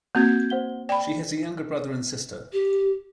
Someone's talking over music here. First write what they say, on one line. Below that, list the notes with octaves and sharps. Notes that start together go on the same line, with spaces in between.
She has a younger brother and sister.
A#3 C4 F#4 G6 G#6
C5 F#5 G7
D5 G5 B5
G4